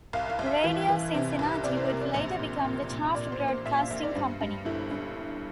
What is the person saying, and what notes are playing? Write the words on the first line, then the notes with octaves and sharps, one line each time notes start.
Radio Cincinnati would later become the Taft Broadcasting Company.
C2 F5
F5
C2
E5
E3
E3
C3
C2
C3 D5
C5
C3 A#4
D5
A#1
A#2
A#2
A#2
A#2 D5
C5
A#2
C5
A#2 E5
F5
A#1 E5
D5
G2 C5
G2
G1 E4
G2